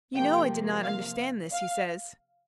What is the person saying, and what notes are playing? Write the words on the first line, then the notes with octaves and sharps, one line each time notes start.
"You know I did not understand this," he says.
C3 F3 A#3 G5
F5
F5